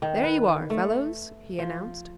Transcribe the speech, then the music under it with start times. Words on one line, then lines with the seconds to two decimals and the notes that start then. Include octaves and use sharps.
"There you are, fellows!" he announced.
0.02 D#3
0.23 B4
0.70 A3
1.59 F3